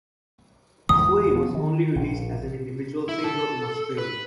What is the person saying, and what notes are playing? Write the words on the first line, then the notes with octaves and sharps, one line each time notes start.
"Sway" was only released as an individual single in Australia.
E2 D3 G#3 D#6
F3 B3
D#3
A#1
E4
A4
B4